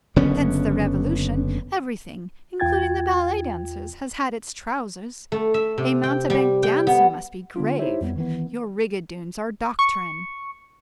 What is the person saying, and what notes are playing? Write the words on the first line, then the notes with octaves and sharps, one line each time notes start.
Since the revolution, everything, including the ballet-dancers, has had its trousers; a mountebank dancer must be grave; your rigadoons are doctrinarian.
F#1 D3 B3 C#4
E2 F4 G5 G#6 A6
A3
E5
C3
G5
G3
G5
B3
D3 B3 D4 F4
D#4 E4 G4 C5 C#5 E5
F2 G3 B3
D#3 E3 B3
C#6